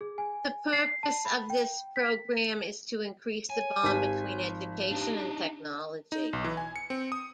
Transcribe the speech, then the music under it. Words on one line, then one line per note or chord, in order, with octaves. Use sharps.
The purpose of this program is to increase the bond between education and technology.
G#4
G#5
C7
A5
B5
G5
B6
C#5 G#5
G#1 G4 B6
F3
D4 D#4 G4
D#4
B1
E3
G#5
C#7
C4
D#6